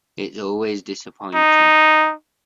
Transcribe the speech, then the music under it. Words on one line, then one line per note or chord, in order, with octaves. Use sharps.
It's always disappointing.
D#4